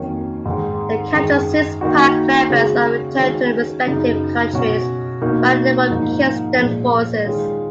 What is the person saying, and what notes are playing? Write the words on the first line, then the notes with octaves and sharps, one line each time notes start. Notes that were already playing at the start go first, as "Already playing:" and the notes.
The captured Six Pack members are returned to their respective countries by Rumekistan forces.
Already playing: F2 D#3 F#3 A#3 C#4
G#2 D#3 G#3
F#2 D#3 G#3
D#3 A#3 D#4 F#4
C#3 G#3 C#4 F#4
D#3 G#3 C#4 F#4
F#2 C#3 F#3 B3 D#4
B2 F#3 C#4 F#4
B2 A#3 D#4 F#4
G#2 F3 A#3 D#4
A#2 F3 G#3 C#4
D#3 G#3 C#4 F4